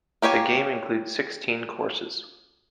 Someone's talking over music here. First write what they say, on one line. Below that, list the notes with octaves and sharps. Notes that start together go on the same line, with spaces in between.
The game includes sixteen courses.
A#3 G4 C#5 G#5